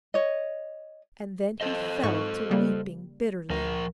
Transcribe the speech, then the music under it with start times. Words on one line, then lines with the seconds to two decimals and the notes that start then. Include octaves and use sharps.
And then he fell to weeping bitterly.
0.14 C#5 D#5
1.61 A4 C5 D#5
2.04 G#2 C#6
2.50 C#3 G3 A#3
3.50 D2 F3 A#4